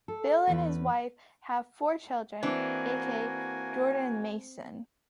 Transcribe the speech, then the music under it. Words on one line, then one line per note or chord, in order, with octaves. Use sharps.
Bill and his wife have four children aka Jordan Mason.
A4
E2 B4
E3 A#3 C4 D4 F#4 G#5